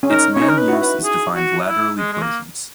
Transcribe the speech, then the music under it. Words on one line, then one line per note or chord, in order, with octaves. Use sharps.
Its main use is to find lateral equations.
C#4
D#4 A#4
C#4 C#5
D#4
A#4
B4
F#4
E4
B4
G#4
F#4
E4
G#3
G#3
A#3